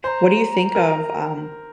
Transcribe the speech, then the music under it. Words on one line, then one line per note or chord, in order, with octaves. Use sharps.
What do you think of, um
C5 A#5 C6
A#4